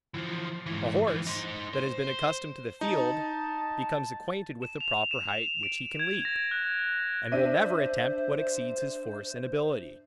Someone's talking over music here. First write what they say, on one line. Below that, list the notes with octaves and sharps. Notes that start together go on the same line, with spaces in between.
A horse, that has been accustomed to the field, becomes acquainted with the proper height which he can leap, and will never attempt what exceeds his force and ability.
E3 F3
G#2 E3
E3 F3
D#4 C5
C5
D#4 A5
E7
F7
E7
D7
G#6
A#6
F#6
D4 C5 E5 D#7